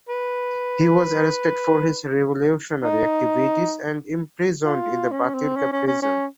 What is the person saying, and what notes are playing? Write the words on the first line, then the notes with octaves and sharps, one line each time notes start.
He was arrested for his revolutionary activities and imprisoned in the Butyrka prison.
B4
D#4
F4
C#4
C4
C#4
C#4
C#4
C#4